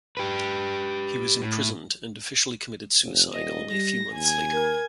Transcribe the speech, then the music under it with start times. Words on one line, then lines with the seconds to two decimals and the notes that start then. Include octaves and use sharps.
He was imprisoned and officially committed suicide only a few months later.
0.17 G4 B4
1.42 A2
3.02 F1
3.33 D#1 D#5
3.70 G3 A#6
4.14 D#2 G#5 G#6
4.52 A#4